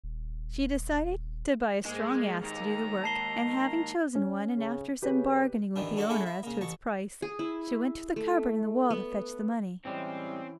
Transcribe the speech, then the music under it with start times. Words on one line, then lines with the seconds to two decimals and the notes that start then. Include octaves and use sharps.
She decided to buy a strong ass to do the work, and having chosen one, and after some bargaining with the owner as to its price, she went to the cupboard in the wall to fetch the money.
0.04 D#1
1.85 G#2 G#3 A#3
2.43 D#2 A#5
3.04 A5 C7 G7
4.15 C#4
4.57 C#3
5.02 C#3 G4 B4
5.76 A1 D#3 E3 D4
5.97 D4 F#4 A4 D5 F#5
6.09 A3 C#4 D4 E4 G#4 F#5
6.26 E4
6.43 C#3 A#3
6.61 A1 A5 C#6
7.22 G#4
7.39 E4
8.16 A3
8.90 B3
9.85 A2 E3 G3 G#3 C4 C#4 E4